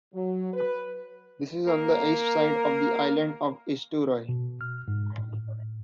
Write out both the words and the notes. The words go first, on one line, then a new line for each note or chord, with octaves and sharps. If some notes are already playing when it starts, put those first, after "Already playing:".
This is on the east-side of the island of Eysturoy.
F#3
B4
A#3 A#4
B2
F6
G#2
A2